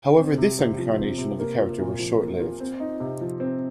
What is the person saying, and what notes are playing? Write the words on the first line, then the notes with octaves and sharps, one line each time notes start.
However, this incarnation of the character was short-lived.
C4
C3
C3
F3
C4
C3
A#3
F4
A#2
F3
A#3
F4
C4
D#4
C3
F3
C4